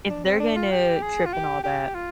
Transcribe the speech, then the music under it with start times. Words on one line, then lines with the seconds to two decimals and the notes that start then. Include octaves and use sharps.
if they're gonna trip and all that,
0.09 D4
0.25 C4
0.40 D4
0.56 F4
0.71 G4
1.02 G#4
1.25 F4
1.33 G4
1.64 G4
1.94 F4